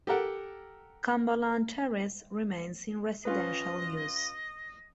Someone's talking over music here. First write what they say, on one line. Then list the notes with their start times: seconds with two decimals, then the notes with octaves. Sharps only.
Cumberland Terrace remains in residential use.
0.07 G4 A4 A#4 F#5
3.25 C#4 F4 B4 D#5